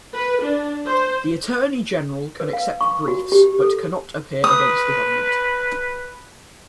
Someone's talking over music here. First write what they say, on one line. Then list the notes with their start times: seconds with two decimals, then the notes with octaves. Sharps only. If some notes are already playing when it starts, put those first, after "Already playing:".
The Attorney General can accept briefs but cannot appear against the Government.
0.13 B4
0.42 D4
0.86 C5
2.40 B4
2.53 F5
2.81 C#6
3.08 F#4
3.32 G4
3.60 A4
4.44 B4 D#6